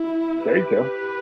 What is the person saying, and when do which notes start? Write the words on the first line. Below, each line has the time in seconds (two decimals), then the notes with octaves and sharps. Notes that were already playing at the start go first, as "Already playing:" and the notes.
there you go.
Already playing: E4
0.40 G4 B4